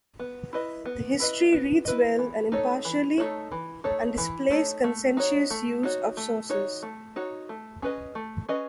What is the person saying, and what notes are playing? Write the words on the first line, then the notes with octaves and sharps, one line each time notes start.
The history reads well and impartially, and displays conscientious use of sources.
B3
E4 B4 D#5
B3
E4 B4 D#5
B3
E4 B4 D#5
E3
A3 D#4 A4 C#5
E3
A3 D#4 A4 C#5
E3
A3 D#4 A4 C#5
E3
A3 D#4 A4 C#5
A3
D#4 F#4 C#5
A3
D#4 F#4 C#5
A3
D#4 F#4 C#5
A3
D#4 F#4 C#5
A3
C#4 G#4 B4 D#5
A3
C#4 G#4 B4 D#5